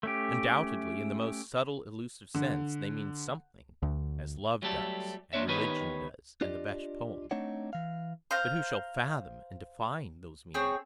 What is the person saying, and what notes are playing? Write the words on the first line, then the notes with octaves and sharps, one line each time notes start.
Undoubtedly in the most subtle-elusive sense they mean something--as love does, and religion does, and the best poem;--but who shall fathom and define those meanings?
A3 C#4 G4
D3
D2
F#3 G3 A3 G4 A4
A#3 C4 D4 C#5 E5
D#3 B3 D#4 G4 B4 C#5
D4 F4 G4 D5 D#5
A3 C4 D4 D#4 C#5 F#5
E3 F5
C5 F5 A#5
C4 G#4 C#5